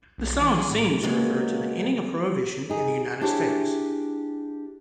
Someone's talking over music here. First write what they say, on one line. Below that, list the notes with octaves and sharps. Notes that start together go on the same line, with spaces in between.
The song seems to refer to the ending of Prohibition in the United States.
B1
E3
G#4
A2
C#3 F#3 G#3 A#3 B3
D#4 G#4
D4 E4 G4 G#4 C#5